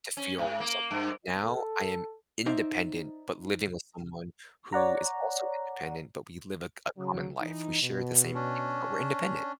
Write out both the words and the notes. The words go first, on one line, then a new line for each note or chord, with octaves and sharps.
to feel something, but now I am independent, but living with someone who is also independent, but we live a c a common life, we share the same things, but we're independent
C#4
G#2
A#3
G2
A4
D#4 C5 D5 E5
C#5 D5 F#5 A#5
C#3 F#3
E3 D#4
B2
C#4 D4